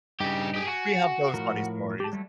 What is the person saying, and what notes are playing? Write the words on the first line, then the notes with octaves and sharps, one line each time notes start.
we have those funny stories.
G2 C#3 D#4 G4
G4 G#4
F#4 G#5
A2 F3 A#4
G4 A5
F#3 G3 A3